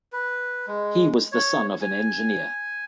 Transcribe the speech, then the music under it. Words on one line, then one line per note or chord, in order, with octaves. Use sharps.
He was the son of an engineer.
B4
G#3
C#5
G#5